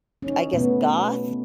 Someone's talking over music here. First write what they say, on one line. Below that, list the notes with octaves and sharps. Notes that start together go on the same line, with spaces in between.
k I guess, goth,
C#4 D#4
B2 A3 B3